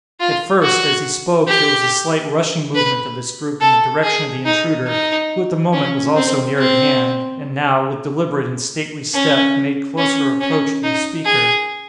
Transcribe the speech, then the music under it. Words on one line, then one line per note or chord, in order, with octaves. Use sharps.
At first, as he spoke, there was a slight rushing movement of this group in the direction of the intruder, who at the moment was also near at hand, and now, with deliberate and stately step, made closer approach to the speaker.
F4
F#4
G4
B4
A4
G#4
D#4
D#4
C#4
C4
C4
C#4
C#4
C#4
D#4
G#4